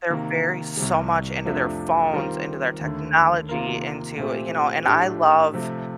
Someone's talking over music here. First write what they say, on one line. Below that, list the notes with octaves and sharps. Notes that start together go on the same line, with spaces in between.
they're very so much into their phones, into their technology, into, you know, and I love
C3 D#3 A#3
C2 C3 G3
F2 C3 F3 A3 D4
D#3 G3 C4 F4 A#4
D#2 D3 A3
C3 D#3 A#3 F4 A#4
A#2 A3 C4 G4
A2 A3 D4 G4
C3 F3 A3